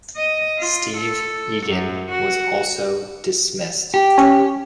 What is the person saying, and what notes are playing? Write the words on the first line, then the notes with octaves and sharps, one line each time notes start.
Steve Egan was also dismissed.
D#5
F4
A4
F#2
F#4
G4
C#4